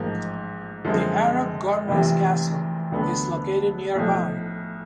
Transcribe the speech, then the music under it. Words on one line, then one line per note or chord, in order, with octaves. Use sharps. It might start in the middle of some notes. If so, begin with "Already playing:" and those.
The Arab Gormaz Castle is located nearby.
Already playing: A1 G#2 F3 A#3
F#2 D3 F3 G#3 C4
F1 F2 C3 E3
D2 D3 F#3 B3
B1 A2 F3